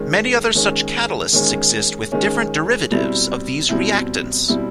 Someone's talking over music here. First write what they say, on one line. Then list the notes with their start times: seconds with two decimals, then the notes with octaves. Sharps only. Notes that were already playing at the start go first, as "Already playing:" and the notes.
Many other such catalysts exist with different derivatives of these reactants.
Already playing: D#3 G#3 C#4
0.55 D#3 G#3 C#4
1.33 D#3 G#3 C#4
2.12 D#3 G#3 C#4
2.90 B2 G3 C4 E4
3.69 B2 G3 C4 E4
4.48 B2 G3 C4 E4